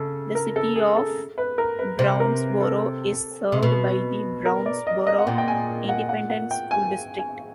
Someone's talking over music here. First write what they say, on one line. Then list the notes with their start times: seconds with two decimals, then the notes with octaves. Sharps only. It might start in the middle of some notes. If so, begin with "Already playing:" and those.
The City of Brownsboro is served by the Brownsboro Independent School District.
Already playing: C#3 A4
0.35 A#4
0.56 A4
0.76 G#4
0.97 A4
1.38 B4
1.58 A#4
1.79 B4
1.99 C3 C5
2.20 A#4
2.61 A4
3.52 C3
3.63 B2
4.45 A#4
4.66 D5
4.87 D#5
5.07 D#5
5.19 F#5
5.27 A#2 G5
5.38 G5
5.48 G#5
5.89 F#5
6.09 F#5
6.30 F#5
6.51 G5
6.71 G#5
7.19 G#5